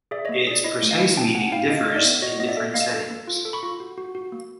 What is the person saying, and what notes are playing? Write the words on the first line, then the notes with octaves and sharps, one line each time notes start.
Its precise meaning differs in different settings.
G#4 D5 E5
A#3 C#5 D#5
G#4 D5
E4 C#5 D#5
A3
D#5 F5
E4
C#4 G5 A5
C#4 F#5 G#5
E4 F5 G5
D4 D#5 F5
A4 D#5
D5 E5
B3
F#4 C#5 D#5
B3 D#5
D5 E5
A4
A#3 D#5 F5
A4
A#3
F4
A4
B5 C#6
F4
F#4
F#4
F#4
A#3